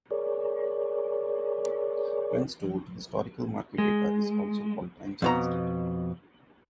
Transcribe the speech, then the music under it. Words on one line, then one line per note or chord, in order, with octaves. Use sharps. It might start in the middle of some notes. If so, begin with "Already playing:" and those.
When stored, historical market data is also called time-series data.
G#4 A#4 C#5 D5
G#3
F2 B2 A#5